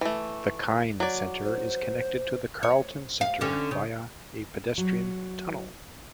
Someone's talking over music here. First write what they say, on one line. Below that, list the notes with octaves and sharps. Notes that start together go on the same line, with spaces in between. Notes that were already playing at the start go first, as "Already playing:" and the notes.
The Kine Centre is connected to the Carlton Centre via a pedestrian tunnel.
E3 A3
F#3 D5
C5
C#5
F5
D3 C#4
C#3
F#3